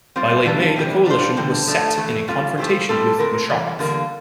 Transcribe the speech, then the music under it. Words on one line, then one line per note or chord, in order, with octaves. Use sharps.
By late May, the coalition was set in a confrontation with Musharraf.
G3 C4 F4 C5
E3 G3 D4 F4
C3 E3 G3 C4 E4
G3 D4 F4 C5
F2 D3 G3 C4
F3 A3 D4
F2 E3 A3
G3 C4 F4
F3 A3 E4 G4 C5
G3 C4 E4 A4
A2 G3 C4 E4 A#4
C3 E3 G3
E2 D3 G3 A#3 F4